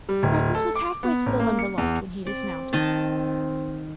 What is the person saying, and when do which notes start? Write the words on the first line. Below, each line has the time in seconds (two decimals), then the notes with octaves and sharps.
Freckles was halfway to the Limberlost when he dismounted.
0.09 G3
0.23 D1
0.55 A4
0.75 D6
1.03 B3
1.26 A1
1.40 A#3
1.59 C#7
1.78 E2
2.27 C4 D5
2.73 D#3 D#5 A5